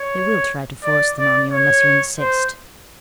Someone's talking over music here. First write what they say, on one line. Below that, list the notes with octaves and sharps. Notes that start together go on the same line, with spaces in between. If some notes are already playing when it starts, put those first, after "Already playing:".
They will try to force them on you unless you insist.
Already playing: C#5
D5
D5
C#5
C5